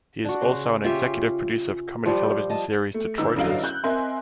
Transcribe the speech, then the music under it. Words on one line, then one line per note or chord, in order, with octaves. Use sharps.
He is also an executive producer for comedy television series "Detroiters".
D4 F#4
C#3 C6
C#4 F4 G4 E5
F3 G3
D#5 A5
A3
G1 D#4 E6
A1 D3 F#3 D#5 F5
F#6 G6
C4 A#4 D#5 E5 G#5 C6